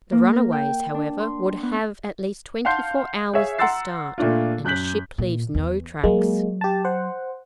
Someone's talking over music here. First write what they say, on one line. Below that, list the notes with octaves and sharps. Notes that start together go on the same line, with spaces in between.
The runaways, however, would have at least twenty-four hours the start, and a ship leaves no tracks.
A#3
A#4
G5
D4
C6
B3
F5 F#5 A5 C6 G6 C7
G#4 C#5 E5 F5
F#5 A#5 C6 E6 A6 C7
A#2 A3 D4 F4
F#2 F#6 G6 B6 F#7
A#2
E2
F#3 G#3 A#3
G4 A5
C5 F#5